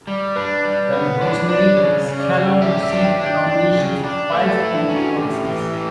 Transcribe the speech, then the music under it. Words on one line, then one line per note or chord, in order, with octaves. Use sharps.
Dana Rosemary Scallon received the nominations of five county councils.
G3
D4 B4
G3
B3 B4
D4 C#5
D4 D5
C#3 C#5
C#3
D5
C#3
G4 E5
E5
D4
G5
D4
G5
D4
C#3
D4
A3 B4
A4
E4
D4
C#4
F#4
A2 G4
E3
A2